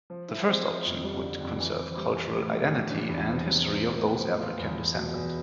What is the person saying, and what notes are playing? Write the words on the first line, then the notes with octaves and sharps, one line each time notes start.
The first option would conserve cultural identity and history of those African descendant.
F3
E4
C4
F3
F2
G3
D3
F2
E3
C4
G3
E3
A2
G3
E3
D4
E2
F3
C3
C4
A2
B3
F3
F4
E2
B3
B2
E2